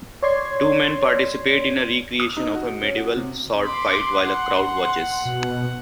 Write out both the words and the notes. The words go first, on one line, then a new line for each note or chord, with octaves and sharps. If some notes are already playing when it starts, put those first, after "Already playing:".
Two men participate in a recreation of a medieval sword fight while a crowd watches.
C#5 D5 C6 G#6 C7
D#6
D#4
F#4
C#4
F#4
C3
B5 C6 D6
F#5
B2